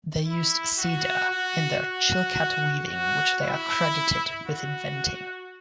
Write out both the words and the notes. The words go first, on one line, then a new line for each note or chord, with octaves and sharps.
They used cedar in their Chilkat weaving, which they are credited with inventing.
E4
F#4
F#4
F#4
F#4
E4
F#4